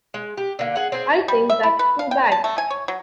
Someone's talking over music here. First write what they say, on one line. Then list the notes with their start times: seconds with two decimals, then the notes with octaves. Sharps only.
I think that's too bad.
0.14 G#3
0.37 G4
0.59 D3 A#3
0.76 G#4 F#5
0.92 C4 G#4
1.28 G3
1.50 E5
1.63 E4
1.79 B4
1.99 F5
2.11 G5
2.32 A5
2.44 A3
2.58 G#5
2.70 C#5
2.88 F#3